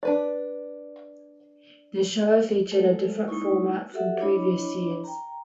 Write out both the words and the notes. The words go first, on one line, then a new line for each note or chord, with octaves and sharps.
The show featured a different format from previous years.
D4 B4 D5
G#3 A3 A4 C5
G#3 A#3 D#4 E4 C#6
F#4 G4 A4 E5 F#5
D4 E4 C#5 D#5 B5 D6
G5 A#5